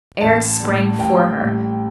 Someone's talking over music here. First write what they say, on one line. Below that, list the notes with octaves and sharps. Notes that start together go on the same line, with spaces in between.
Eric sprang for her.
A1 A5
A2 G3
A1 G5
A2 G3